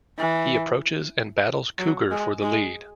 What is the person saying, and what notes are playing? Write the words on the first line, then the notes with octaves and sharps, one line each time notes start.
He approaches and battles Cougar for the lead.
E3
F#3
G#3
G#3